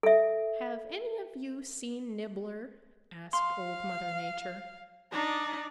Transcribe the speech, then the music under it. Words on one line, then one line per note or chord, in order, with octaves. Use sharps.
"Have any of you seen Nibbler?" asked Old Mother Nature.
A4 E5
F5 C6
D4 D#4 D5